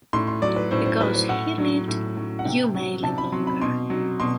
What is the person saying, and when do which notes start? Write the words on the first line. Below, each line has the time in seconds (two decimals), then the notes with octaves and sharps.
Because he lived you may live longer.
0.13 A2 C6
0.27 C6
0.42 F#3 D5
0.56 B4
0.71 A2 C5
0.86 C5
1.00 F#3 B4
1.15 C5
1.29 A2 F#5
1.58 F#3
1.88 A2
2.17 F#3
2.39 F#5
2.45 C3 G5
2.75 F#3
3.03 C3 A5
3.18 B5
3.32 F#3 C6
3.47 B5
3.62 B2 C6
3.90 F#3
4.20 B2 C6